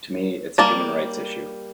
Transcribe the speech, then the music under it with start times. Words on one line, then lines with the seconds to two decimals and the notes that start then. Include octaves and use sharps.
To me, it's a human rights issue.
0.58 G3 A#3 A5